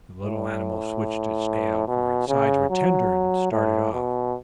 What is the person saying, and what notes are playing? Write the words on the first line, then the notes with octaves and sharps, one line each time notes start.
The little animal switched its tail, for its sides were tender, and started off.
A2
B2
C#3
F#3
A2
B2